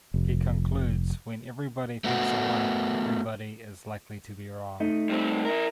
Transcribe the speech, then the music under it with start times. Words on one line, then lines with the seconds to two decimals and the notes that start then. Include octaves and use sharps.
He concludes when everybody thinks alike, everybody is likely to be wrong.
0.14 F1
2.04 A3 B3 F#4
4.80 A3 D#4 D#5
5.10 G2 C4
5.45 E4 A#4